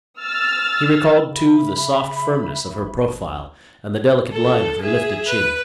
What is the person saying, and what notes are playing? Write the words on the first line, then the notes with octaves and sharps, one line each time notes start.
He recalled too the soft firmness of her profile and the delicate line of her lifted chin.
E6 F6 A6
C#3 E5 B5
A1
A4
G#4 E5
B4